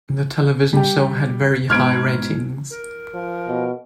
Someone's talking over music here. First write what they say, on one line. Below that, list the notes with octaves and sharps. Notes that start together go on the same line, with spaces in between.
The television show had very high ratings.
G3 G4
G#2 B2 F6 G#6 D7
A#4
F3
B2